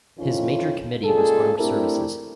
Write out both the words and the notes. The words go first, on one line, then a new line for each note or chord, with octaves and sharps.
His major committee was Armed Services.
F2 D#3 C#4 E4 F4
A#2 C#3 G#3 G#4 A4
A3 C4 D4 E4 G4 A#4